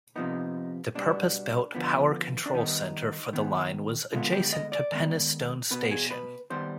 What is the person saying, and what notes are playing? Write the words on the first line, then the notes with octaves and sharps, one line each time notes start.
The purpose-built power control centre for the line was adjacent to Penistone station.
C3 F3 B3 D#4
B2 G3 B3 D4
D3 F3 B3
D4
D#3 G3 B3 D#4
D#3 B3
D3 G#3 B3 F4
G4
D#5
D5
D#3 G#3 B3
B2 B3 B4
G#4
B4
D#3 G3 B3 C5